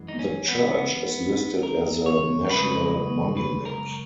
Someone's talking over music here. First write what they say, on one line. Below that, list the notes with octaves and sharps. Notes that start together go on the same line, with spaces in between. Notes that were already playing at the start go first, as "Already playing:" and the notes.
The church is listed as a National Monument.
Already playing: F#2 E3 G#3
D#4
C#4
B3
A#4
C#5
F#2 C#3 G#3 B4
B4
A#4